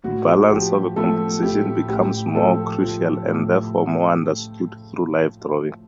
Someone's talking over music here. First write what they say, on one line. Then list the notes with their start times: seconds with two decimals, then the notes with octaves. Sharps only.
Balance of a composition becomes more crucial and therefore more understood through life drawing.
0.04 A2 F#4
0.50 F3 G4
0.96 F3 A3 A4
1.42 A2 G4
1.89 A2 G4
2.35 F3 A3 A4
2.81 F3
3.27 A2